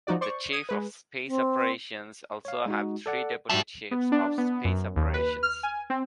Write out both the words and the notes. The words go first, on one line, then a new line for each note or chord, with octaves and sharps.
The chief of space operations also have three deputy chiefs of space operations.
F3 D#4 F#4 D5
C5 D5 C#6
D#6 G#6 D#7
G#3 B4
C4
C#5 F5
G#3 D#4 F#4
A4 D5 F#5
G#2 F#4 G4 E5 A5
B3
D4
B3
F#2
D#2
B4
F6
G#5
C4